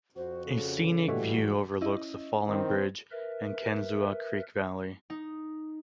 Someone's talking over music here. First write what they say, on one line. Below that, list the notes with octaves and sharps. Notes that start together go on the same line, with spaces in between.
A scenic view overlooks the fallen bridge and Kinzua Creek Valley.
F2 F#4 C5
C#3 A4
G#2 E3 G3 A3 F#4
C#4 E4 D#5
D#3 C4
A#4 B4 E5
D#4